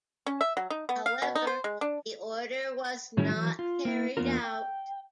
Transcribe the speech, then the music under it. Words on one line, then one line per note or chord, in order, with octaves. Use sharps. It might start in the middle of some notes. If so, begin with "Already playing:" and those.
However, the order was not carried out.
C#4
E5
F#3
D#4
B3
F5
B2
D#4
C5
G#3
D4
A2 D#3 F#3 G3 C#4 E4
E3 F#3
F4
A#3 E4
E2 A#3 B3 D4 F4 A#4
G5